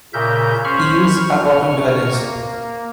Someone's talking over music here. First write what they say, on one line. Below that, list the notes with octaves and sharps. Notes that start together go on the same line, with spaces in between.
Eels are bottom dwellers.
A#2 C#3 A#4 E5 G6
C#4 C5 B5 C#6 F6
C#6 F6
A#3